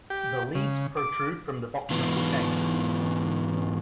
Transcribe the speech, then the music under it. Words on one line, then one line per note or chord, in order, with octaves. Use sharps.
The leads protrude from the bottom of the case.
G4
C#3
D6
G#2 E3 B3 F4 B4